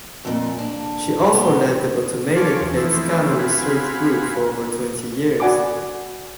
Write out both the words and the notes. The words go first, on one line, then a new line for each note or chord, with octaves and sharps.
She also led the Automated Plate Scanner research group for over twenty years.
F2 A#2
A#3 D4
A#2 B3 G4
C5 C#5 F5 G#5 A5 D6
E2
E3 F3 A3 B3 C4 E4
C4 F#4 F5 G#5 B5
F#4 D5 F#5 G#5 B5 D6